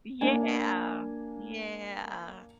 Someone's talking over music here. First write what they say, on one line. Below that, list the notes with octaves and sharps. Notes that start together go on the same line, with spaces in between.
Yeah. Yeah.
A#3 D4 G#5